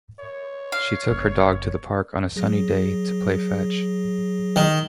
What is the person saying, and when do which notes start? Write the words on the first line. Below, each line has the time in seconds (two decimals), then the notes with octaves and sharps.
She took her dog to the park on a sunny day to play fetch.
0.19 C#5
0.72 F5
1.10 F#1
2.36 F#3 G#4 A#6
4.56 D#3